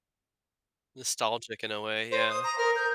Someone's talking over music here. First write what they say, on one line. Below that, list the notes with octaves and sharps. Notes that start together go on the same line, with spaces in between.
Nostalgic in a way, yeah.
C5
D#6
A#5
A#4
G6